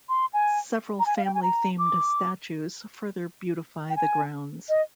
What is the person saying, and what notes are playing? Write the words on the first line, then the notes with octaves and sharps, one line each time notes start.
Several family-themed statues further beautify the grounds.
C6
G#5
A#5
G#5
F5
G5
G#5
A#5
D6
G5
G#5
D#5